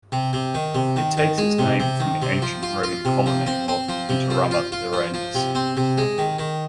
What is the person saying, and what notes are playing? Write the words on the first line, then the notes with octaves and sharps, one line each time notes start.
It takes its name from the ancient Roman colony of Interamna Lirenas.
C3
C3
D#3
C3
D#3
D#3
G#3
C3
C3
D#3
C3
F3
F4
F4
C3
F3
C4
C4
F3
C3
F3
F4
F4
F3
F3
C3
C4
C3
G#3
D#3
D#3